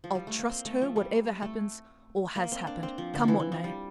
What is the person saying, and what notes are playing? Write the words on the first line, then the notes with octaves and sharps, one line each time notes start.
I'll trust her whatever happens or has happened, come what may.
F3
G3
A3
A#3
C4
A3
F3
G3
A3
A#3
C4
D4
C4
F3
D3
E3 F3
E3
F3
G3